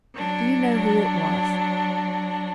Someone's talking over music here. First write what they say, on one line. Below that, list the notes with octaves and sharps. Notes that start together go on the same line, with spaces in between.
"Do you know who it was?"
F#3 D4